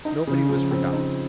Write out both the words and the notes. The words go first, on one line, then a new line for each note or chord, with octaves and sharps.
Nobody was forgotten.
D#4
C#3
F3
C4
D#4